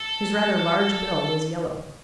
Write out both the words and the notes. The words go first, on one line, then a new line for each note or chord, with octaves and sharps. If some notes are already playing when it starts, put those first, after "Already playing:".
His rather large bill was yellow.
Already playing: A4